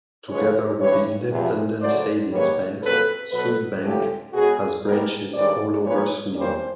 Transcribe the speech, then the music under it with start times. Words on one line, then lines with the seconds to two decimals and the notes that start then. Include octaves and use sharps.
Together with the independent savings banks, Swedbank has branches all over Sweden.
0.29 D2 C#3 F3 G#3 C#4 B4 C#5
0.80 G2 E3 G3 B4 C#5
1.31 E2 C3 F3
1.81 C#3 F#3 A3 C5 D5
2.31 G#2 D#3 G3 A#3 B4 C#5
2.82 F2 C#3 F#3 A#3 A4 B4
3.32 B2 F#3 B3 A4 B4
3.83 D2 C3 F3 A3 C#4 G4 A4
4.33 B2 G#3 C#4 F#4 G#4
4.84 B2 G3 B3 G#4 A#4
5.34 G2 D#3 G#3 C#4 C5 D5
5.85 A#2 F3 A#3 C#4 B4 C#5
6.35 G2 D#3 G3 A#3 C#4 C5 D5